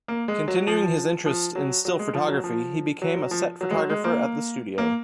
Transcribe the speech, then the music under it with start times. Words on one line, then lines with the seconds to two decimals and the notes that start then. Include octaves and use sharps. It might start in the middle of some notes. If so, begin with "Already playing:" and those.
Continuing his interest in still photography he became a set photographer at the studio.
0.08 A#3
0.28 G#3
0.48 F#3
0.67 F3
1.26 F3
1.55 F#3
1.85 F#3
1.99 G#3
2.15 F3
2.28 F#3
2.44 F3
3.02 F#3
3.16 F#3
3.31 F3
3.61 F#3
3.71 G#3
3.76 F#3
3.89 G#3
4.04 A#3
4.78 A#3